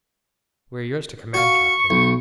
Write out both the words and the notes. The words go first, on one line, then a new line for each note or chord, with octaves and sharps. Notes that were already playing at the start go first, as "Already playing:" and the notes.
"We're yours to command, captain."
F#4 F5 C#6
B1